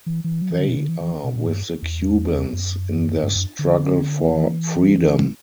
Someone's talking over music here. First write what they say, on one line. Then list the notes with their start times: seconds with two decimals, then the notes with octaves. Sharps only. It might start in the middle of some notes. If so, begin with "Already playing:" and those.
They are with the Cubans in their struggle for freedom.
0.06 E3
0.24 E3
0.42 F#3
0.50 E3
0.59 D3
0.68 B2
0.77 D3
0.89 E3
1.01 E3
1.24 B2
1.35 A#2
1.47 G2
1.82 E2
2.53 F#2
3.23 G2
3.35 F#2
3.59 D3
4.30 E3
4.47 E3